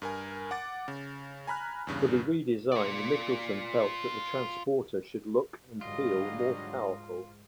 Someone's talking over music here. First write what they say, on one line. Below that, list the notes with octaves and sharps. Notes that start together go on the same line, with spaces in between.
For the redesign Michelson felt that the transporter should look and feel more powerful.
G2 A#4 G#5
F#5 D6 A6
C#3
G#5 A#5 B5 F6 F#6
E2 G2 C#3
F4 D5
G#2 D3 F#3 G3 F4 D#5 F5